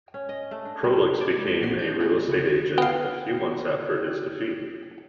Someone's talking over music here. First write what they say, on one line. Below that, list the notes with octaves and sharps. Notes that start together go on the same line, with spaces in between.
Proulx became a real estate agent a few months after his defeat.
C#4
D#5
A3
D4
G3
G#3 G5 A5 D6 G#6
A#1 A#2 C4 F#4 C#5 C7
A3 D4 G6
G3 A3 C4 C#4 E4 F4
C#2 G#3 E4 G4 F#5
B3 F5 G5